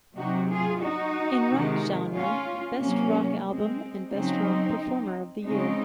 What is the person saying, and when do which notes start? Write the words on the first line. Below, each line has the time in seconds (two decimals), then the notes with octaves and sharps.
In Rock Genre : Best Rock Album and Best rock Performer of the Year.
0.16 C3 F#3 D#4 F#4
0.49 F4 G#4
0.82 D#4 F#4
1.49 C3 D#3 G#3
2.14 C#4 F4
2.80 C3 F#3 A#3 C#4
3.46 G#3 C4
4.12 C#3 F#3 C4 D#4
5.44 C#3 G#3 C4 D#4